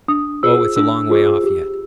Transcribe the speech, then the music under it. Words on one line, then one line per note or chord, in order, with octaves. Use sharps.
Oh, it's a long way off yet.
D4 D#6
F4 G#4 C5 E6
D4 E6
F4 G#4 C5
G4